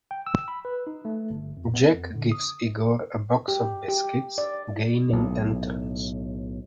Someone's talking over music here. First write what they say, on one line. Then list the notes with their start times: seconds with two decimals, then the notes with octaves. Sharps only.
Jack gives Igor a box of biscuits, gaining entrance.
0.11 G5
0.26 E6
0.48 B5
0.65 B4
0.87 D#4
1.05 A3
1.30 G1
1.57 F2
1.74 B3
1.94 F2
2.15 D3
2.32 D#6
3.48 G4
3.88 G4
4.38 D5
5.09 B1 A2